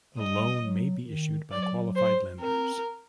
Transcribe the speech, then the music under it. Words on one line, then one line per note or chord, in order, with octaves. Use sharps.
The loan may be issued by qualified lenders.
G3 D#5
F#3
D#3
F#3 D5
C5
C4 A#4